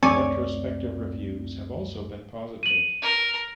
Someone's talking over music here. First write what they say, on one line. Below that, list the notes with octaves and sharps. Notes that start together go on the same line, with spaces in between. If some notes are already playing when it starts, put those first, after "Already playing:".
Retrospective reviews have also been positive.
C#2 F#2 A3 C4 C#5 D5 G#5
D#7 F#7
A#4